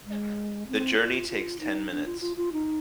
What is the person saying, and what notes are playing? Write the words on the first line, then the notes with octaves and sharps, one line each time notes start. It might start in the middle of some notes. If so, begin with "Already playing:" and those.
The journey takes ten minutes.
G#3
C4
F4
F4
D#4
D4
F4
F4
F4
D#4